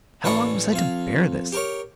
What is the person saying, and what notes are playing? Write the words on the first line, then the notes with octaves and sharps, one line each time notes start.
How long was I to bear this?
A1 E3 D4 B5 C#6 D#6
F2 F5
G4 A#4 C#5